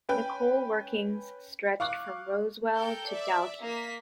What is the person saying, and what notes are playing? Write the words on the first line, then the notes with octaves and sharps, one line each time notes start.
The coal workings stretched from Rosewell to Dalkeith.
C#4 B4 G5
F5 C#6 D6 F#6
A4 A#4 G5 G6
D5 E5
A#3 B6